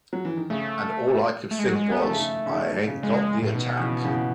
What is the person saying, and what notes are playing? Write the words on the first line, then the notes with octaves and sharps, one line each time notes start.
And all I could think was, 'It ain't got the attack.
F#3
E3
D#3
C#3 A3
A3
G#3
F#3
G#3
B3
D#3 A3
C#3
D#3
C#3
D#3
D#3
C#3
C#3 G#3
A2
B2 D#3
C#3 E3
C#3 E3